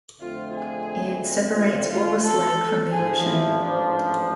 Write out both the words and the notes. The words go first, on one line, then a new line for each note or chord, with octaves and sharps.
It separates Wallis Lake from the ocean.
F2 D3 A3 C4 F4
G#4
F4
F4
A4
A1 G#2 F3 G#4
E4
D4